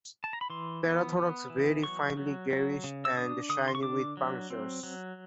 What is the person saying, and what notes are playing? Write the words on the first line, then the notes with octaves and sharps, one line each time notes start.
Prothorax very finely greyish and shiny with punctures.
A5
A#5
B5
E3 C6
B3
B3
E3
F#3 C#6
F#3
F#3
C#3
E6
D4 D#6
D3 D#6
C6
C#6
D4 D6
F#3
C4
F#3